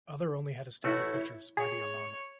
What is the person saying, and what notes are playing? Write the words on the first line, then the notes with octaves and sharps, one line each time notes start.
Other only had a standard picture of Spidey alone.
A1 A3 E4 F#4 C#5
G#4 C#5